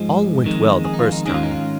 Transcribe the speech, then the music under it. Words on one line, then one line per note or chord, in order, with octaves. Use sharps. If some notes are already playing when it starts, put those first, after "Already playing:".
All went well the first time.
Already playing: G#2 F3 G#3
F2 D#3 G#3
G#4
D#4
F4
D#4
G#2 D#3 C#4 G#4
F4
D#4
F4